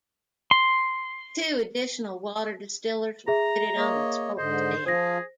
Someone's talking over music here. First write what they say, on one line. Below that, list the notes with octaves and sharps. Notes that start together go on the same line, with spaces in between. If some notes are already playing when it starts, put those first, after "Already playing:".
Two additional water distillers were fitted on the sports deck.
C6
G#4 E5 A#5
A#3 C#5 D#5
G#2 D3 C5 D#5
F3 F4 G#4 C5 A#6